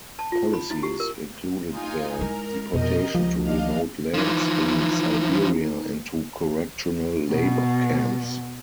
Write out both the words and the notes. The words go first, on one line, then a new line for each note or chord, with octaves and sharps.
Policies included their deportation to remote lands in Siberia and to correctional labour camps.
A5
F4
B5
E4
G4
A#4
D#4 F4 G#5
G#3 E4 A#4
F2 B2 G4 A#4 D#5
C#2 F3
D4 D#5 F5
E3 F3 D#4
B2